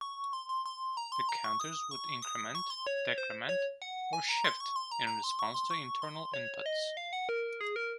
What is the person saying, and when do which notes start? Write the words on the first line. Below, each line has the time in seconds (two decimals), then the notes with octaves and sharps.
The counters would increment, decrement, or shift in response to internal inputs.
0.01 C#6
0.33 C6
0.49 C6
0.66 C6
0.97 A#5
1.12 C6
1.29 A#5
1.44 C#6
1.60 D#6
1.91 C#6
2.22 D#6
2.55 C#6
2.70 C6
2.87 C#5
3.18 C5
3.49 C#5
3.82 F#5
4.13 G#5
4.29 A#5
4.44 C6
4.60 C#6
4.76 C6
4.92 A#5
5.07 A#5
5.24 C6
5.39 C#6
5.54 C6
5.71 C#6
6.02 C6
6.34 C#5
6.66 D#5
6.97 F5
7.13 F#5
7.29 A#4
7.61 G#4
7.76 A#4